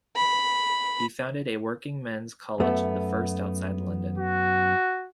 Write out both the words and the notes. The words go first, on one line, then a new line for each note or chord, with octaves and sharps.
He founded a Working Men's College, the first outside London.
B5
F#2 A3 B3
F#4